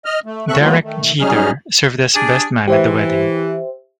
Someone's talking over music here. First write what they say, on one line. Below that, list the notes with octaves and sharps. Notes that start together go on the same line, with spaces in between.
Derek Jeter served as best man at the wedding.
D#5 F6
A3
C#3 C4 A4 E5 C#6 F#6
E3 F#3 G#3 A#3 B3 F4
D#3 A3
F#3 G3 C#4 D#4 G#4 F6
D4 G4 G#4
E3 G4 C5 E5